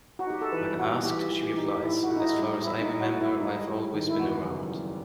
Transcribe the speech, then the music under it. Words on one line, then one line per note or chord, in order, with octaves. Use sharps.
When asked, she replies, As far as I remember, I've always been around.
F#4
D#4 G4
A4
E3 B4
G3 F#4
E3 G4
E3
G4
D#4
G4
A2 E4
F#4
A2
D#4
E4
G3
D#4
A2 E4
D#4
A2
F#4
A2
E4
G3 D#4
G3
D#3
E4
E2 F#4
F#1
G3